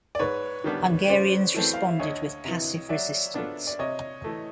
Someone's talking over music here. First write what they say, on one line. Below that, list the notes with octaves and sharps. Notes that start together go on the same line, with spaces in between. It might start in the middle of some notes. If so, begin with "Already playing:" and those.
Hungarians responded with passive resistance.
D5
G#2 B4 C#5
D#3 G3 B3 D4
C#3 C5 D5
E3 A3 C4
F5
E5
D2 C#5 D#5
C3 E3
F#3 D5 E5
B3 D4 F4 A4
D5
C3 C#5 D#5
E3 A3